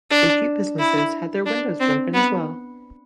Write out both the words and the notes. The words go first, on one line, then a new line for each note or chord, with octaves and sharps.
A few businesses had their windows broken as well.
D4
E4
D4
C4
B3